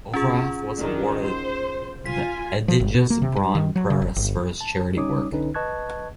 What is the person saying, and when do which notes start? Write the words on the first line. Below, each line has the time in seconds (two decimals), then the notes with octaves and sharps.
Overath was awarded the Egidius-Braun-Preis for his charity work.
0.14 C#4 F4 G#4
0.78 D#3 D4
1.22 C5
2.06 F4 G#5 B6
2.68 F3
2.80 G1
2.95 B2
3.10 A#3
3.22 C3
3.36 G2
3.55 D#3
3.76 F#3
3.90 C#3
4.02 F#1
4.16 G1
4.61 A5
4.97 G3 C#4 D#4 C#5 D6 D#6
5.31 B1 D3 C#4 D#4 B4
5.54 B4 D#5 A5 C#6 F#6 G#6